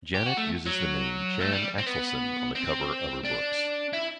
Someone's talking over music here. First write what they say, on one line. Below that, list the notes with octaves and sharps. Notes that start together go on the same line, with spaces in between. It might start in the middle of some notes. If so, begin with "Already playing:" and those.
Janet uses the name Jan Axelson on the cover of her books.
G4
F#4
A3
F#3
A3
G3
C4
B3
C4
D4
E4